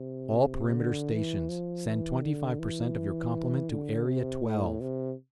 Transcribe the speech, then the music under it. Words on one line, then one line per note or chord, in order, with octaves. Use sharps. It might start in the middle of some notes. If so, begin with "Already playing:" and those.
"All perimeter stations send twenty-five per cent of your complement to Area Twelve."
Already playing: C3
D3
E3
F3
E3
D3
E3
D3
C3
A2
C3